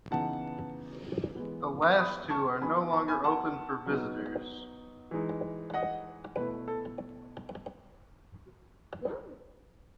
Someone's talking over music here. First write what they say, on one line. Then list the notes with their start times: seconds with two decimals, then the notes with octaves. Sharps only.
The last two are no longer open for visitors.
0.11 C#3 E3 B3 D#4 F#5 A5
1.36 E3 G#3 B3
1.99 B5 D#6
2.30 A5 C#6
2.61 F#3 B3 D#4 G#5 B5
2.92 A5 C#6
3.08 G#5 B5
3.24 F#5 A5
3.86 F#3 B3 D#4
5.11 E3 G#3 D#4
5.74 D#5 F#5
6.36 B2 A3 E4 B4
6.68 A4